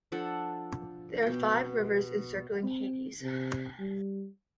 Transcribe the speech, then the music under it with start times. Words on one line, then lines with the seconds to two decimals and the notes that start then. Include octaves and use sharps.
There are five rivers encircling Hades.
0.12 F3 D4 A4 F#5
1.22 B2 G5
2.63 C4
3.22 C3
3.80 G3